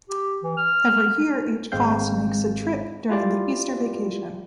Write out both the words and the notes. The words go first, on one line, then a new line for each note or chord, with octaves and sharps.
Every year each class makes a trip during the Easter vacation.
G4
E3
F6
G#1 G#3 C4 F5 G6
E4 F4 G4 D5